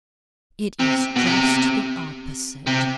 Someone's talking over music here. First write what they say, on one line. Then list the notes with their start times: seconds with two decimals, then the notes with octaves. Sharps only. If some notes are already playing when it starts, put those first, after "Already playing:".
It is just the opposite.
0.80 C3
1.16 B2
1.27 C3
2.67 C3